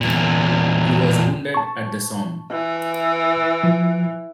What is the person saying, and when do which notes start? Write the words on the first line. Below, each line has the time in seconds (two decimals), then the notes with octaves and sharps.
He was wounded at the Somme.
0.01 E2 A#2
1.54 A5 C#6
2.51 E3
3.63 F3